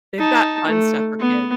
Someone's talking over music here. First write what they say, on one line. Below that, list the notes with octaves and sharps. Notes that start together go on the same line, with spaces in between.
They've got fun stuff for kid
D#4 A5
A3
B3